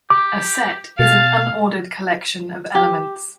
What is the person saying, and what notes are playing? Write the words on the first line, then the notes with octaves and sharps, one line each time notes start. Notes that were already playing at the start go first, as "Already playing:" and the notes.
A set is an unordered collection of "elements".
G4 D6
B2 F5 A5
G4